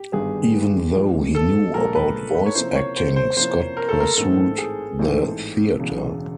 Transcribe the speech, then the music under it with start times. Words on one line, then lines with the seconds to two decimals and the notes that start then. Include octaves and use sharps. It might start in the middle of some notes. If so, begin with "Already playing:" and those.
Even though he knew about voice acting, Scott pursued the theater.
Already playing: G4
0.12 G#1 G2 D3 G3 B3 G#4
0.93 A#1 A#2 F3 G#3
1.35 A4
1.74 A#1 A#2 F3 G#3 A#4
1.95 B4
2.35 B4
2.46 C#5
2.55 C3 F3 A#3 C#4 E4 C5
2.76 C#5
2.96 C5
3.16 C5
3.36 C3 F3 A#3 C#4 E4 C5
3.77 A#4
3.89 A4
4.00 A#4
4.13 A#4
4.17 A1 G#2 E3 A3 C4 A4
4.58 G#4
4.99 A1 G#2 E3 A3 C4
5.79 E1 E2 C#3